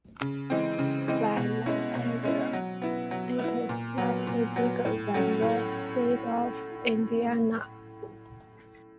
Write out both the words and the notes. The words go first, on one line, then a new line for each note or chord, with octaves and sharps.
By land area, it is slightly bigger than the state of Indiana.
C#3
E3 G#3 C4
C#3
E3 G#3 C4
B2
G#3 C#4 E4
B2
G#3 C#4 E4
F#3
B3 E4
F#3
B3 E4
A#2
F#3 B3
A#2
F#3 B3
A2
F#3 A3 C#4
A2